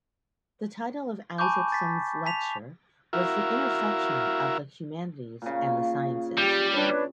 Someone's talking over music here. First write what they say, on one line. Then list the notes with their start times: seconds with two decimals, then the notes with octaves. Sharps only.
The title of Isaacson's lecture was The Intersection of the Humanities and the Sciences.
1.38 G#5 A5 B5 C#6 D6 G6
1.72 A6 B6
2.26 A5 B6 F7
3.13 E4 F#4 A#4 E5 F5
5.42 A#2 C#3
6.37 G3 G4
6.73 D4 B4 C#5